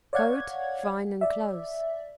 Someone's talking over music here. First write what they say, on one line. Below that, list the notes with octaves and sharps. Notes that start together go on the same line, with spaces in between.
COAT--Fine and close.
C#5 D5 F5 F#5 G#6
D5 E5